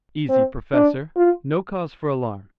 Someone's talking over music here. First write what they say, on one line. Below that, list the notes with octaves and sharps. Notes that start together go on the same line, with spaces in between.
"Easy, professor, no cause for alarm."
C4
D4
F4